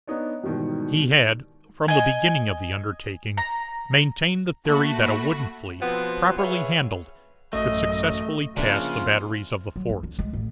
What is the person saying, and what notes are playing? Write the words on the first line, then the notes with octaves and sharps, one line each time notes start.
He had, from the beginning of the undertaking, maintained the theory that a wooden fleet, properly handled, could successfully pass the batteries of the forts.
B3 D4 D#4 C#5 D5
G#2 B2 D#3 E3 G3
D#5 G#5
A#5
A3 A#3 F#4 B5
B2 F3 B3 C4
G#4 B4 C#5 E5 F5
A1 F#2 A3 D#5
C#3 F3 A#3 C4 D4 F4 E5 G#5
F#3
F2
D4
G#3
A1